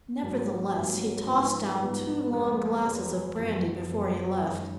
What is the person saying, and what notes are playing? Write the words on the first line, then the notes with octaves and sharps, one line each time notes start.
Nevertheless, he tossed down two long glasses of brandy before he left.
G#1 G#2 F#3 A#3 C#4
G#1 G#2 F#3 A#3 C#4
G#2 F3 B3 D#4
G#2 F3 B3 D#4
F2 C#3 G#3 B3
F2 C#3 G#3 B3
F#1 F2 F3 B3
F#1 F2 F3 B3
F#1 F#2 D#3 G#3 C#4